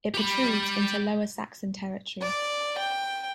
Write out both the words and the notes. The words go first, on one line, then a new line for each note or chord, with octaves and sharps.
It protrudes into Lower Saxon territory.
G4 B5
D5
G5